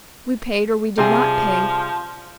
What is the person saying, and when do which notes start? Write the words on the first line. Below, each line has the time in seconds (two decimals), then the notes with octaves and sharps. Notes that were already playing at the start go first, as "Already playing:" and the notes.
We paid or we did not pay.
0.98 C3 F3 G3 G#4